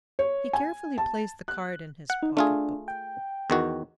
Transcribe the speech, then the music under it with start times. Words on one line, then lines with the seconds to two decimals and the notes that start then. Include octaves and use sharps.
He carefully placed the card in his pocket-book.
0.19 C#5
0.53 G#5
0.98 A5
1.48 F#6
2.10 F#5
2.23 D#4
2.37 A3 D4 F4 G#4
2.88 G5
3.50 E2 D#3 F#4